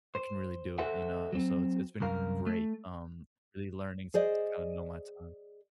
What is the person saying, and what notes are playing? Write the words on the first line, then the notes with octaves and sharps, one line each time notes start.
I can really do it, you know? So it's it's been great, um, really learning to to kinda know my time.
C5
F#4 A4 C5 E5 F#5
F#3 C4
C2 F#2 A#4 F5
A3
G#4 C5 D5 D#5